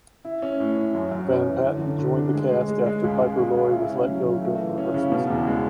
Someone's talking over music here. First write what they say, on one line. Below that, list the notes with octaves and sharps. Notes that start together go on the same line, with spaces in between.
Van Patten joined the cast after Piper Laurie was let go during rehearsals.
E4
C#4
A2
C#4
F#2
F#2
F#2
E3
D3
D3
D3
D4
G#3
G#3
G#3
G#3
C#2
C#2
C#2
C#3
E4
C#4
F#3
C#3
A3
E3
C#4
C#3
B2
E2
G#3